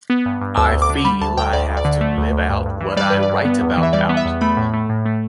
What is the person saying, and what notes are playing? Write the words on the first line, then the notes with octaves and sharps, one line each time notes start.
I feel I have to live out what I write about out.
B3
G2
G2
D2 E6
D2
D6
D3
G3 B5
D2 A5
D2 G5
D2 D5
D2
D5
D3
A3
D2
D2
G2
G2
E3
G3 D5
G2 B4
D5
G2
B3
E2
E3
E5
G3 D5
B3
E5
E2
A3 B5
A2
A3
A2
A3